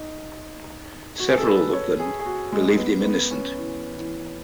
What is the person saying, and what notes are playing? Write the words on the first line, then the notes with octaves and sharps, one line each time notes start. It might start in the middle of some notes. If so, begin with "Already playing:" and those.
Several of them believed him innocent.
Already playing: D#4
F#4
G#4
A4
B4
C#5
G#4
G#4
F#4
G#3
B3
B3
C#4
E3
E3